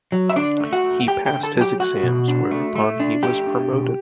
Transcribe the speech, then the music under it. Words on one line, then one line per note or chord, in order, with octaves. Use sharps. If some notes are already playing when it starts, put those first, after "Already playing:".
He passed his exams, whereupon he was promoted.
F#3
E5
D3 D4 D5
A3
F#4 F#5
A3
A3 G4 G5
G4 G5
D3
A4 A5
F#3
G4 G5
A3 F#4 F#5
B2
D4
A3
A3
D4
A3 G4 G5
D4
B2